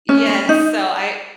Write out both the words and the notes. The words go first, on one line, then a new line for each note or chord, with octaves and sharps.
Yes, so I
C#4
C#4
D#4